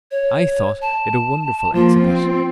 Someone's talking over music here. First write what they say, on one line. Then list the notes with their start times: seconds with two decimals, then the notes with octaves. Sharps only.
I thought it a wonderful exhibition.
0.11 C#5
0.81 A5
1.75 F3 A#3 F4
2.04 C4